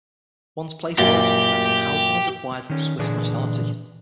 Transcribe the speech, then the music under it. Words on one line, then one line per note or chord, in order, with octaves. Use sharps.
One's place of origin depends on how one has acquired Swiss nationality.
F#2 A#2 G4
D#3 C#4
A#2 D3 E3 D4 G#4